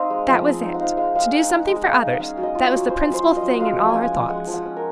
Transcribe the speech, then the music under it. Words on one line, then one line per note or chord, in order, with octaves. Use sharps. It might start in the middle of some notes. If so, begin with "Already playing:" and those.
That was it--to do something for others, that was the principal thing in all her thoughts.
Already playing: C4 D#4 C5 D#5 F5
G#3
F3
C4
D#4
F#5
D#4 F5
G#3 F5
G#3 F5
D#4 F#5
D#4 F#5
G#3
G#3 F5
D#4
F#5
C#4 F5
F#3
D#5
F4
C#5
F#3
C#4 C5
F#3
C5
F4
D#5
F#3
F#5
G#3 F5
F3
G#5
C#4 F#5
F3
G#3 F#5
F3
F#5
C#4
A#4